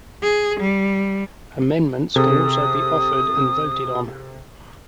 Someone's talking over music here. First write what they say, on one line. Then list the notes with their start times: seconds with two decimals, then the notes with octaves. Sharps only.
Amendments can also be offered and voted on.
0.23 G#4
0.60 G3
2.16 C3 G#4 A4 D#6